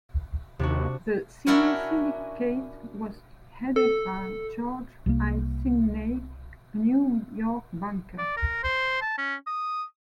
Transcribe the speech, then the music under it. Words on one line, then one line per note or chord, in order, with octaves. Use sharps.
The Seney Syndicate was headed by George I. Seney, a New York banker.
D#2 C3 D4 F#4
C#4 D4 E4 F#4 A#4 C#5
A4
C2 C3 G3 A#3
D5
A#4
C5
A5
C#4
D#6